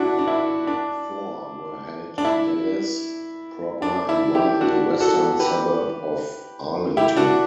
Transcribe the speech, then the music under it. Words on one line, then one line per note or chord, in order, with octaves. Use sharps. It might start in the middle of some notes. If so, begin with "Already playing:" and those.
Four were held in Dallas proper and one in the western suburb of Arlington.
Already playing: D4 E4 F#4
D4
E4
D4
D4
E4
D4
E4
E4 G4
D4 F#4
F#4 A4
G4 B4
E4 G4
D4 F#4